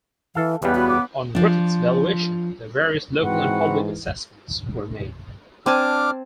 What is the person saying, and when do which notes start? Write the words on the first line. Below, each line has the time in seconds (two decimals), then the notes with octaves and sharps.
On Griffith's valuation the various local and public assessments were made.
0.35 E3 A4 F5
0.63 E2 C#3 G3 B3 G4 B4
0.75 F#4 B5
0.89 D6
1.35 F3 D4
3.23 G#2 E3 C4 F#4 B4 F#5
5.66 C4 D4 G#5 A5 D6 F6